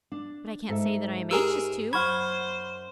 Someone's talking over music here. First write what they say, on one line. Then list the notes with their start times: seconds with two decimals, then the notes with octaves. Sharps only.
But I can't say that I am anxious to.
0.12 D4
0.69 G#2 A4 E5
1.31 G4 G#4 A#4 E6
1.93 F#2 C5 F#5 B5 C#6 F6 G#6